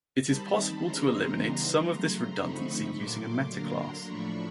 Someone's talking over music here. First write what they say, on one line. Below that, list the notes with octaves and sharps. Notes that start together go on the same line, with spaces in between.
It is possible to eliminate some of this redundancy using a metaclass.
D#3 G3 C4 D#4 A5 B5
E3 G#3 C#4 A#5 C6
C#3 E3 G3 B3 D#4
C#3 F#3 A3 A#5 C6
D3 F3 A3 C4 D#4 B5 C#6
A#2 F#3 A3 C6 D6
D3 F#3 A#3 D4 A#5 C6
A2 F3 A3 D4 B5 C#6